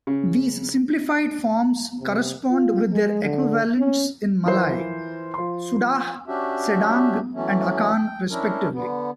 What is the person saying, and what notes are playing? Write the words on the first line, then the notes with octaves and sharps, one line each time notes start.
These simplified forms correspond with their equivalents in Malay "sudah", "sedang", and "akan", respectively.
C#3
C3
F4
G#3
D3
C#4
E3 F4 A#4 C5
F3 C6
C#4 D4 F#4 G4 E5
E3 F#3 A3 C#4
G5
C#4 D4 E4 A#4
D3 B3